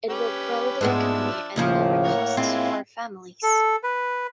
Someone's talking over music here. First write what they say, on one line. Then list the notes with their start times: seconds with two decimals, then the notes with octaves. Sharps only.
It will grow the economy and lower costs for families.
0.10 C#4 G4 B4
0.81 G#2 F3 G#3 B3 D4 E5
1.56 D#2 A2 C#3 F3 A#3
2.04 A#4 C#5 F#5
2.37 G#3 C4 E4 F4
3.43 A4
3.83 B4